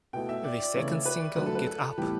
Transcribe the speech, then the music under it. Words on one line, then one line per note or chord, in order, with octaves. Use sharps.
The second single Get Up!
B2 A3 E4 G5
E5
D5
D5
C#3 E3 A3 C#5
B4
D3 F#3 A3 B4
A4
B4
A4
A2 E3 G3 B3 G4